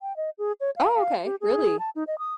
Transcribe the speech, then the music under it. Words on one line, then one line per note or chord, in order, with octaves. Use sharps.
Oh, okay. Really?
G5
D#5
G#4
C#5
F5
F5
G4
G#4
A5
D#4
D#5
D#6